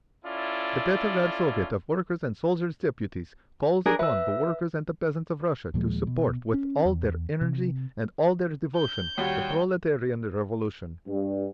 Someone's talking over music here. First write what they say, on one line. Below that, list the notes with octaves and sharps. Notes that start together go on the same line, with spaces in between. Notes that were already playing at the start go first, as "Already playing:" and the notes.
The Petrograd Soviet of Workers' and Soldiers' Deputies calls upon the workers and the peasants of Russia to support with all their energy and all their devotion the Proletarian Revolution.
C#4 E4 F4 A4 D5
D4 G#4 A#4
B4 E5 E6
D#2 A#2 F3 G#3
B2
C#4
E2
C3
G6
D#2 G3 F#4 C#5 G5
G2